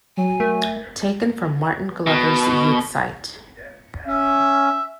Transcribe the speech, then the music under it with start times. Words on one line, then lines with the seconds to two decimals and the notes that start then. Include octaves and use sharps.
Taken from Martin Glover's Youth site.
0.17 F#3 G#5
0.40 A3 A#4
2.07 B2
4.07 C#4 E5